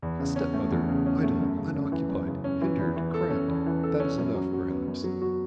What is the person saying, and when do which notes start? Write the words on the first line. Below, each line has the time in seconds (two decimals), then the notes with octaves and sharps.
A stepmother--Idle, unoccupied, hindered, cramped, that is enough, perhaps.
0.02 E2
0.19 C#3
0.36 C#4
0.54 A3
0.71 E2
0.89 C#3
1.06 C#4
1.23 A3
1.41 F#2
1.58 C#3
1.75 C#4
1.92 E3
2.09 F#2
2.28 C#3
2.44 C#4
2.62 E3
2.79 E2
2.96 E3
3.14 A4
3.30 C#4
3.48 E2
3.66 E3
3.83 A4
4.00 C#4
4.18 F#2
4.34 F#3
4.53 F#4
4.70 B3
4.88 F#2
5.04 F#3
5.22 F#4